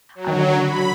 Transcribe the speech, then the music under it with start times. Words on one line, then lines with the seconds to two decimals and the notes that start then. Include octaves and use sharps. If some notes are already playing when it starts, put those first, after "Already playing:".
I mean,
0.15 F#3
0.62 B5